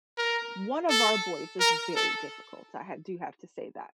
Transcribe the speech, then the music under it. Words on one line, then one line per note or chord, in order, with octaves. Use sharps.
One of our boys is very difficult, I ha do have to say that.
A#4
A4
A#4
A4